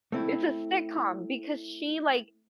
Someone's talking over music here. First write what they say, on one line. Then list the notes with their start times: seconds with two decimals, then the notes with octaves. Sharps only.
it's a sitcom because she, like,
0.12 A3 C4 E4